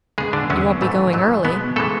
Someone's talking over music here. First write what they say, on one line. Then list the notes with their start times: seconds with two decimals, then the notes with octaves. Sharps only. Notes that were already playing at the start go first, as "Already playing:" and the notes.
"You won't be going early."
0.18 C#3 G#3 B3 G#4
0.33 D3 D4
0.50 E2 D3 F#3 B3 C#4
0.81 G#2 E3 A3
1.13 G#2 F#3 A3
1.45 B2 G#3 B3
1.76 C#3 E3 G#3 A3 A4